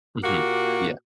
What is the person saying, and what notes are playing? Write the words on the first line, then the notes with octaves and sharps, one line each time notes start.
Mhm. Yeah.
A#2 A#3 F#4 G4 F#5